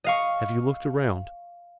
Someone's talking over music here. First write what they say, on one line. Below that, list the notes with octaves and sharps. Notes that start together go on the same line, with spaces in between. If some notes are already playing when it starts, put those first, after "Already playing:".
"Have you looked around?"
D#5 F5 C#6